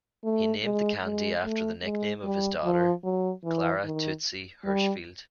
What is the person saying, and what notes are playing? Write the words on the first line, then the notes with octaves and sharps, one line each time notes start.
He named the candy after the nickname of his daughter, Clara "Tootsie" Hirshfield.
A3
G#3
G#3
A3
G#3
G3
F3
F#3
E3
D#3
G3